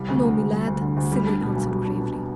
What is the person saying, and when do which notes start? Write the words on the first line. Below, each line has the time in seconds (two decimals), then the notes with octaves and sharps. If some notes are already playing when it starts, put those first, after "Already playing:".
"No, me lad," Cilley answered gravely.
Already playing: C2 G3
0.08 D2
0.23 D3
0.38 D2
0.52 G3
0.66 D2
0.81 D3
0.97 D2
1.12 G3
1.27 D4
1.41 B2
1.55 B1
1.70 G3
1.85 D4
2.00 B2